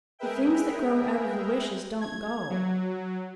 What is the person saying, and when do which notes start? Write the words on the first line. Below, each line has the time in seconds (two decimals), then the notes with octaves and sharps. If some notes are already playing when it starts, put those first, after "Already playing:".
'The things that grow out of the wishes don't go.
0.19 G#3 G#4 A#4 B4 E5 G5
2.01 G#6
2.50 F#3